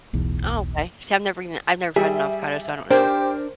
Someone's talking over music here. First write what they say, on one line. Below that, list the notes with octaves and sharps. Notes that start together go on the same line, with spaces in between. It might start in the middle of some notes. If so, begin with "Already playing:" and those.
Oh, okay, see, I've never even I've never had an avocado, so I don't know.
D1 B1 E2
G3 G#4 E5
D4 G4 A#4 C5